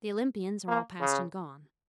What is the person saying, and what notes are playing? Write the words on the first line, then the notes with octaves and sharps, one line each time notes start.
The Olympians are all past and gone.
A#3
C#3